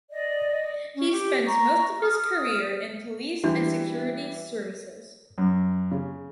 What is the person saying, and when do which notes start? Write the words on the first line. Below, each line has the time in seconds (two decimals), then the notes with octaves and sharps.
He spent most of his career in police and security services.
0.11 D5 D#5
0.96 C#4
1.12 G4
1.45 A#5 C#6
2.01 D#6 F6
3.44 E3 G3 D4 E4 F#4
5.38 F#2
5.91 C#3